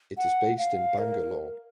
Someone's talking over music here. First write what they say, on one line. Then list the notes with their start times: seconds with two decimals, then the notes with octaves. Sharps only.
It is based in Bangalore.
0.18 F#5
0.58 F5
0.98 A#4